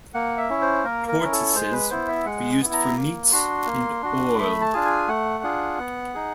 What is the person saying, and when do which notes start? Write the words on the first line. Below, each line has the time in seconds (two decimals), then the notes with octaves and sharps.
Tortoises were used for meat and oil.
0.14 A#3 F#5
0.38 E5
0.50 C#4 E4
0.62 C5
0.84 A#3 A#4
1.08 A#4
1.20 C#4 E4
1.32 A4
1.55 G#3 C5
1.72 B4
1.90 B3 E4 C5
2.08 E5
2.26 G#3 F#5
2.61 B3 E4
2.73 A#5
2.96 A#3
3.32 D4 F#4 C6
3.67 A#3
4.02 D4 F#4
4.38 A3 B5
4.61 A5
4.74 D4 F4 G#4
4.85 G#5
5.08 A3 F#5
5.43 D4 F4 G#4
5.79 B3
6.14 D#4 G#4